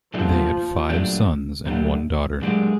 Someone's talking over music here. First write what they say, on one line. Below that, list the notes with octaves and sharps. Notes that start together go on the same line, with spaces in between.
They had five sons and one daughter.
A#2 F3 F#3 A3 D4 G4
A#2 F#3 A3 D4 G4
A#2 F#3 A3 D4 G4
A#2 F#3 G#3 A3 D4 G4